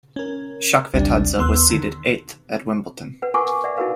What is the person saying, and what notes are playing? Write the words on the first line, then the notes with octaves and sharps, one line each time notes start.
Chakvetadze was seeded eighth at Wimbledon.
C#4 A#4
A1 D2 C3 G3 C4 D4
D#2 B3 C6 E6 F#6
D3 D#3
B4 F#5
F4 A#4 F#5 G#5 C#6 D6
D5 E5 F#5
D#4 E4 F#4 A#4 B4 F5